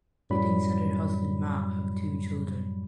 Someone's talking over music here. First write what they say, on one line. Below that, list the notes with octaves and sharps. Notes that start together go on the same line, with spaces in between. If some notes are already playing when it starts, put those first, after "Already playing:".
Giddings and her husband Matt have two children.
F#2 A2 F#3 G3 B5